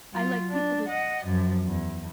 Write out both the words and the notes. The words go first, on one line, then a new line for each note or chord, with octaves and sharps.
I like people to
F#3 F4
D4
D#5 F#5
F#2 F3
E2